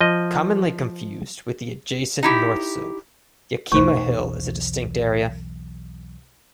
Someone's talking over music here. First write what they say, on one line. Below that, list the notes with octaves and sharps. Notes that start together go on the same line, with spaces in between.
Commonly confused with the adjacent North Slope, Yakima Hill is a distinct area.
F3 D#5
D#4 E4 G4
B1 E2 A3 D#4 C5 C#6